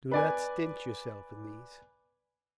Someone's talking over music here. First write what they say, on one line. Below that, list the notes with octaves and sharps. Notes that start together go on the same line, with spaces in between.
Do not stint yourself in these.
B4 D5 G#5